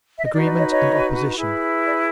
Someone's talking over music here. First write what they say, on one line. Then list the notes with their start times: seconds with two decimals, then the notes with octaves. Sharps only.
Agreement and Opposition.
0.18 E5
0.25 D#5
0.32 D#4 F#4 B4 D5
0.45 D5
0.57 C#5 D#5
0.70 C#5 D#5
1.35 E4 G#4 B4
1.86 D5